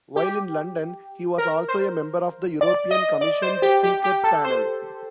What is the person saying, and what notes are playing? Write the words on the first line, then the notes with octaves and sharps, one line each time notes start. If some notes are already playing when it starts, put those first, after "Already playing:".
While in London he was also a member of the European Commission's Speakers Panel.
G4
A#4
C5
D5
D#5
D5
C5
G4
G4
G4
A4
C5